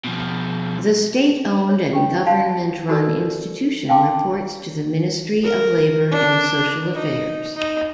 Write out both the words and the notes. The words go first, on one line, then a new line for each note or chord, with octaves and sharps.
The state-owned and government-run institution reports to the Ministry of Labour and Social Affairs.
B2 F3
C#5
G4 G5 B5
F5 F#5 A5 B5 C6
D#4 F#4 A4 A#4 D5
F5 G5 A5 C6 D6
A#4
D4
D#4
D#4